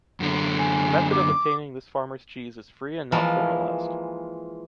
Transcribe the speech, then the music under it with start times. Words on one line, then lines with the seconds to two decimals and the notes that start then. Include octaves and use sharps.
The method of obtaining this farmer’s cheese is free and not formalized.
0.20 F#2 D3
0.58 G#5
1.11 D6
3.12 E3 F3 G#3 A#3 F4